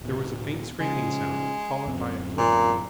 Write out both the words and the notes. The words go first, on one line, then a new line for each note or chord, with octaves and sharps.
There was a faint scraping sound, followed by a click.
D1 B2
C#3 F3 G#3
D1 F#2 C4
A#2